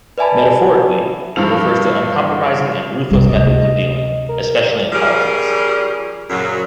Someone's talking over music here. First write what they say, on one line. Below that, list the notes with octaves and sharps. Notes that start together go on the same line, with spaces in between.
Metaphorically, it refers to uncompromising and ruthless methods or dealings, especially in politics.
B4 D5 E5 G#5 A5 B5
G2 E3 F3 F7
C2 G2 G3
D2 C3 D#5
A#4
F3 G3 C#4 G#4 A#4
F#2 A#2 C#3 F#3